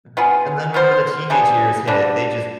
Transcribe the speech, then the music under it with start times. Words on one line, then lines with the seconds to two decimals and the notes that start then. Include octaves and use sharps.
Right, and then whenever the teenage years hit, they just,
0.17 B3 F4 G#4
0.74 B3 F4 C5
1.30 G3 B3 D4 G#4
1.87 D3 G3 D4